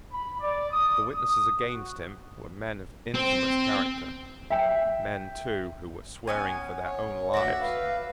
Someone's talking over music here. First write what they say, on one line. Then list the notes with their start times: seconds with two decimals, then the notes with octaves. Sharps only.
The witnesses against him were men of infamous character, men, too, who were swearing for their own lives.
0.11 B5
0.40 D5
0.71 D#6
1.14 D#6
1.59 F#4
3.14 C4
4.50 E5 G5
6.27 B3 C#4 G#5
6.84 C#5
7.34 D2 F#4 D5 E5
7.61 B4 F5